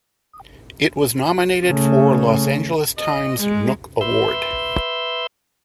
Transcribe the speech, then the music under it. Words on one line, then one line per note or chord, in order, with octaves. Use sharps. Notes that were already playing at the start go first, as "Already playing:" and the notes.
It was nominated for Los Angeles Times Nook Award.
C#3 A3
D#5
G#3
B4 E5 C6 E6 G6